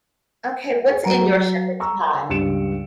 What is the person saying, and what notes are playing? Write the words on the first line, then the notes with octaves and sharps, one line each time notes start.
Okay, what's in your shepherd's pie?
G#4
F#3 F#4 A#5
A#5 C#6 E6
C#2 G2 G3 C#7 D7 E7